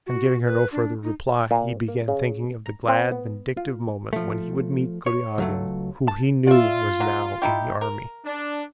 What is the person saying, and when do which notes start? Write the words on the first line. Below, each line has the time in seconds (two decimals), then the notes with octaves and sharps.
And giving her no further reply, he began thinking of the glad vindictive moment when he would meet Kuragin who he knew was now in the army.
0.07 F#4
0.44 B4
0.72 D4
1.03 D#4
1.51 A#2
1.88 A#3
2.08 C#3
2.66 A#5
2.88 C4
3.12 B3
3.57 F4
4.13 F3 A3
5.06 C#5
5.38 C#2 F#3 A3
6.08 A5
6.47 F4 D5 E5
7.00 F#3
7.42 D#4 E4 G4
7.81 A#4
8.25 D4